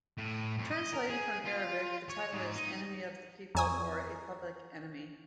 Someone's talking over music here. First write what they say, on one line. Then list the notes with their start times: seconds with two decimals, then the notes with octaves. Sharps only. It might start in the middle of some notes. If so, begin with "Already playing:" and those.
Translated from Arabic, the title is "Enemy of the people" or "A Public Enemy".
0.18 A2
0.59 F2
0.72 D#5
0.94 A#4
1.10 G#4
1.46 F4
2.10 C#5
2.33 G#2
2.55 D#4
3.55 F2 G#5 A#5 C#6 D#6